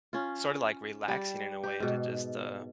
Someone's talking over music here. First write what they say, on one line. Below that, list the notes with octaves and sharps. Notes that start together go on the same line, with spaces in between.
sorta, like relaxing in a way to just, uh
C#4 F4
G3 D5
G4
G#2 B2